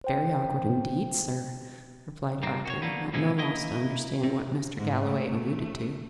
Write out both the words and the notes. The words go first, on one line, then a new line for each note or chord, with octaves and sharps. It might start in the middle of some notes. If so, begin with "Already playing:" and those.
"Very awkward, indeed, sir," replied Arthur, at no loss to understand what Mr. Galloway alluded to.
C5 G5
G2 A#2 A#3 C4
F#4 G4 C#5
D3 A#3 B3
A2 C3 F3 G#3 B3 E4
A#3 E4 D#5
C3
G#2
A3